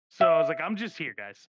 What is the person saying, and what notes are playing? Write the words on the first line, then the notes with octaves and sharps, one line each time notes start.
So I was like, "I'm just here, guys,"
E5